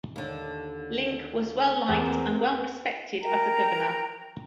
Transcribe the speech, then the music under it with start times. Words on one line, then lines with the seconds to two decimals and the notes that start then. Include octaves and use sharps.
Link was well liked and well respected as a governor.
0.16 D#2 D3
1.89 E2 A#3 C4
3.21 A#4 G5 A#5